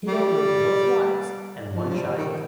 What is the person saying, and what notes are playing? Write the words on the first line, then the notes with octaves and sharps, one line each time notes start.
He outlived both wives and one child.
G3
F3
F3
G3
D#3